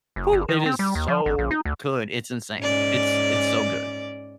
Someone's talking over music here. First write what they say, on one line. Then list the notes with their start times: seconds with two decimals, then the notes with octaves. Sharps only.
Hoo, it is so good, it's insane. It's it's so good.
0.16 F#1
0.33 G1
0.49 D#3
0.66 C4
0.79 G3
0.95 D#2
1.08 F3
1.26 G#1
1.38 A#1
1.51 D#4
1.65 D2
2.60 G#2 C#4 D5